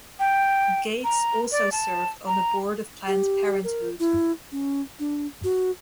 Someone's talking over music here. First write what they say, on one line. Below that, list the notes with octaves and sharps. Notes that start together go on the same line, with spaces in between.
Gates also served on the board of Planned Parenthood.
G5
A#5
D5
A5
A#5
G4
A#4
E4
C#4
D4
F#4